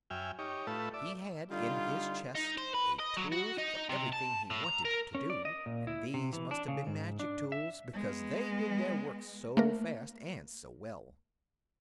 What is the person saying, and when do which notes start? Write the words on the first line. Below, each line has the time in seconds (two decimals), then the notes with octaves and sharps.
He had in his chest a tool for everything he wanted to do, and these must have been magic tools because they did their work so fast and so well.
0.10 F#2 E5 G5 G#5 F6
0.39 D#4 G4 C#5
0.67 A2 A3 F4 B4 A5 E6
0.94 D5 E5
1.49 D3 G3 D#4 F4
2.35 D#4
2.58 C5
2.75 B4
3.00 D#5
3.17 F#3
3.32 F#4
3.58 D#4
3.89 C3
4.12 A5
4.50 A2
4.64 A#5
4.85 A#4
5.15 C#4
5.30 D5
5.45 D#5
5.66 A#2
5.87 E4
6.14 C3
6.33 E3
6.51 D4
6.68 C#3
6.87 G#2
7.20 D4
7.52 E5
7.93 G#3 B3
9.57 A3 A#3 A#4